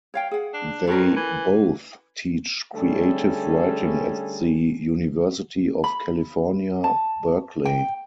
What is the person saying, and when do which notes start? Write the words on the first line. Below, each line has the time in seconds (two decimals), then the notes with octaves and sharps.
They both teach creative writing at the University of California, Berkeley.
0.14 C#5 F5 G5
0.31 G#4 F#5
0.53 D4
0.87 F2 C#4 A4 A#4
1.16 E3
2.74 D3 G3 A3 C#4 G#4 A4
5.84 B5
6.84 A5
7.65 G5